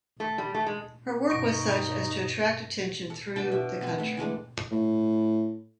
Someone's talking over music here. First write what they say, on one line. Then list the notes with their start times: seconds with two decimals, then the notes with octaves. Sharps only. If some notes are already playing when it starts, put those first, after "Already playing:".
Her work was such as to attract attention through the country.
0.20 A3
0.38 G3
0.54 A3
0.66 G#3
1.30 G2 B2 D#4 C#6 A#6 D7
3.10 A4
3.36 B2 D4 G5 A5
3.52 E5
3.81 B3 C4
3.98 A3 E5
4.17 E3 G#3 A3 D4
4.71 A2